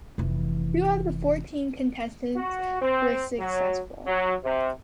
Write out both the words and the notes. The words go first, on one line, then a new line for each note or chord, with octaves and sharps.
Two of fourteen contestants were successful.
F1 E3
F#4
C4
F#3
F#3
C3